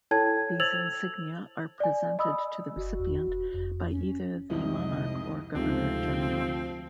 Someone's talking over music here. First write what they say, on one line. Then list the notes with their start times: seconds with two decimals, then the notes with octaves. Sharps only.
These insignia are presented to the recipient by either the monarch or governor general.
0.11 E4 A4 C#5 G5 A5 G#6
0.60 C5 E6 G#6 A6 F7 F#7
1.80 D5 G#5
2.19 D#5 B5 D#6 E6
2.76 F#1 F#4
3.00 E2
3.28 F1
3.54 F2
3.91 C#4
4.50 C2 F2 G#2 C3 D#5
5.55 D2 G#2 C3 F3 A3 C4